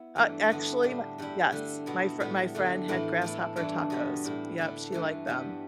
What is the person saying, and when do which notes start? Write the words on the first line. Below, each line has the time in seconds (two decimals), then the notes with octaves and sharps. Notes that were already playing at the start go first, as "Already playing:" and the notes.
Uh, actually, my Yes, my fr my friend had grasshopper tacos, yep, she liked them.
Already playing: B3 E4
0.16 G2 E3 A3 D4
0.50 G2 D3 B3 E4
0.83 A2 G3 D4
1.18 G2 G3 E4
1.52 G2 D3 A3
1.86 B2 B3 E4
2.20 A2 G3 B3
2.55 G2 D3 A3
2.88 A2 E3 A3 E4
3.22 A2 A3 E4
3.56 G2 E3 A3 D4
3.90 B2 G3 B3
4.24 A2 G3 E4
4.58 D3 A3 E4
4.92 G2 E3 A3
5.27 G2 G3 B3